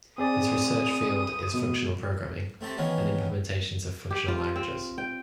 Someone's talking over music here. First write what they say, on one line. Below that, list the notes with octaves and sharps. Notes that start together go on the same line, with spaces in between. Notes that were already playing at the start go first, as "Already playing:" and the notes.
His research field is functional programming and implementations of functional languages.
C4 G#4 D5 D#6
B2
A3 C4 G4 A5
D#3 E3 F#3 B3 C#4
G4
F4
C4
G5